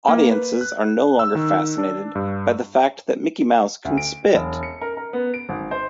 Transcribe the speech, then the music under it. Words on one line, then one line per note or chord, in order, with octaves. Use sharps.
Audiences are no longer fascinated by the fact that Mickey Mouse can spit.
A#3
B4
F#6
E6
D#3
D4
G2
D2
D7
E1
C#7
A#4
A#4
B3
D7
G#1
C5